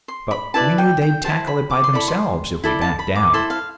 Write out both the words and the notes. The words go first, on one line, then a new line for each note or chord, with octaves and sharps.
But we knew they'd tackle it by themselves if we backed out.
C6
B5
E4 B4 D5 A5
G5
G5
E4 G4 C5 A5
B5
D6
C6
E4 A4 D5 B5
C6
E4 A4 D5 B5
A5
B5
D6
E4 A4 C5 C6
F5